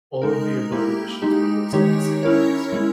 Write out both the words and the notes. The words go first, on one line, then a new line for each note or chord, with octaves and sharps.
All of the above editions were based on the C-text.
G#3 D#4 A#4
A#3 E4 G4
G#3 D#4 G4
D#3 G#3 D#4 G4 C#5
C#4 E4 A#4 C#5
G#3 C#4 E4